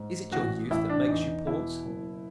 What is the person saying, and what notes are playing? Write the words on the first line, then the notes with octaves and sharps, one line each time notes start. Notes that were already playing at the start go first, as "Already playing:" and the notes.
Is it your youth that makes you pause?
Already playing: G#2
A1 F#4
A1 E4
D4
E2 D#4
B2 E4
F#1